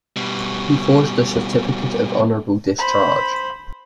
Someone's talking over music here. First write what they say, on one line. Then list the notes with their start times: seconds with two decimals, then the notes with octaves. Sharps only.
He forged a certificate of honorable discharge.
0.16 B2 G3
2.78 C5 B5